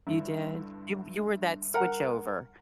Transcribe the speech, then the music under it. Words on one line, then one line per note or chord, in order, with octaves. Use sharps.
You did? You w You were that switchover,
G2 D3 E4
A#4 F#5 A#5